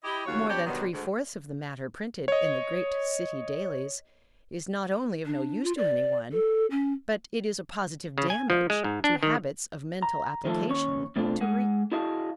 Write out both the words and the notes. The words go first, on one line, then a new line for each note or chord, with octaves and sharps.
More than three-fourths of the matter printed in the "great city dailies" is not only of no use to anyone, but it is a positive damage to habits of mental application to read it.
E4 G4 D#5
D#2 C#3 F#3 F4 F#4 C#5
B3 C#4 D4 G4
B2 D3 D#3 F#3 G3 B3
D2 G#2
C#5 D#5
D4
F4
D5
A4
C#4
C#3
G#5
F3
G#3
G#2
D4
D#3
A#5
D#3 F3 A3 C#4 F4 A4
D#2 C#4 C#5
B2 A3 C4 D4 F4 A4
G#3 G#4 F#5
E4 F#4 G#4 D#5 F5 A5